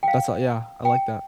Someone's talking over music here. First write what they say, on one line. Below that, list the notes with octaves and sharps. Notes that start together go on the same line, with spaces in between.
that's a yeah, I like that.
G5
F5
G5